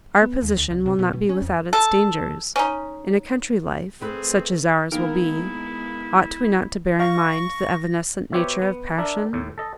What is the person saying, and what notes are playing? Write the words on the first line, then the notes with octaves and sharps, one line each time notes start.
Our position will not be without its dangers; in a country life, such as ours will be, ought we not to bear in mind the evanescent nature of passion?
B3
D#2
D2
C2
C3
B2
B2
C#4
F2
A4
C#4 D#4
A3 C4 G#4 B4
D#3 G#3 A#3 B3 E4 A#4
F5 C#6 A#6
B3 F#4 G4 C5 C#5 E5
B3
D4 A#4 E5
D#2 A2
A4 D#5